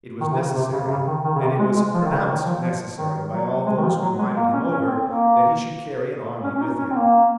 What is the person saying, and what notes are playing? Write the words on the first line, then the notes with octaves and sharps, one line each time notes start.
It was necessary, and it was pronounced necessary by all those who invited him over, that he should carry an army with him.
D#3
C3
C#3
C3
C#3
C3
C#3
D#3
D#3
C#3
C3
G#3
G#3
F3
D#3
C#3
D#3
F3
F3
D#3
F#3
G#3
D#3
F3
F#3
G#3
A#3
C#4
C#4
C4
A#3
C#4
C#4
D#4
C#4
C4
A#3